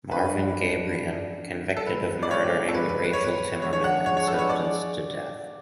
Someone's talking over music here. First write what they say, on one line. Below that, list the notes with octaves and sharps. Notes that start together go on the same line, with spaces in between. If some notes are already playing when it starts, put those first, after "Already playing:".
Marvin Gabrion - Convicted of murdering Rachel Timmerman and sentenced to death.
F3 G#3 D4 B4
A4
F#2 D3 G#3 B4
D5
C#5
A4
B4
B4
B4
C#5
B4
F3 G#3 D4 G#4 C#5
C#5
F#5
C#5
C#5
A4
B4
C#5
D5